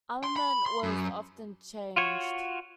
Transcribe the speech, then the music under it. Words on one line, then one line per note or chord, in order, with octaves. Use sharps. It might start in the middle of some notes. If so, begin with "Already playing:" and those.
Armament was often changed.
C6
B5
C6
F#2
F4 F#4 C#5